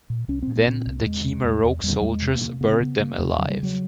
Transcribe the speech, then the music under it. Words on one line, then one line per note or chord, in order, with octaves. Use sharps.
Then the Khmer Rouge soldiers buried them alive.
A#2
C2 C#4
A#2 C4
B3
A#2 C4
C2
E2 G#3
C3
E2
E2
E2 G3
E2 G3
G#3
C3
A#3
C3
C#3 B3
C4
C#3 B3
C#3 A#3
E2
C#3 F#3
G3
C#3 F#3